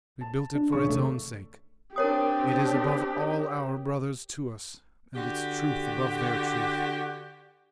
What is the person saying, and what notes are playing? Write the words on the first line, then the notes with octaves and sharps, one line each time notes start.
We built it for its own sake. It is above all our brothers to us, and its truth above their truth.
A5
D4
D#1 C#3 C#6
F1 A3
C4 D4 G4 A#4 C#5 D#6
D3 F#4 G4